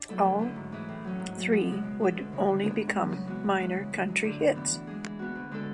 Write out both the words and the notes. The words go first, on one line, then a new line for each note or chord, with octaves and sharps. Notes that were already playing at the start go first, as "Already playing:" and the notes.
All three would only become minor country hits.
Already playing: D4
F#3 A3 E4 A4
D2
D3 A3 C#4 E4
G#2
E3 A3 E4 G#4
A2
F#3 C#4
G#2
F#3 A3
F#2
C#3 G#3
B2
G#3 D4 A4
D2
C#3 E3 G#3
D3
G#3 B3 D4 G#4
G#2
F#3 A3
C#3
E3 G#3 B3 F#4
B2
G#3 C#4 E4
C#3
G#3 D4
F#2
D3 A3 D4
A2
E3 B3
E3
G#3 D4 G#4
E3
B3 F#4
D2
D3 G#3 D4 A4